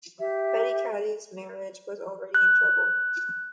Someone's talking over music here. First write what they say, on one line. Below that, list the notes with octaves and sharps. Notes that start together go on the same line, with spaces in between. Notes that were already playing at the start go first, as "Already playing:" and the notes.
Peter Caddy's marriage was already in trouble.
G4 E5
F#6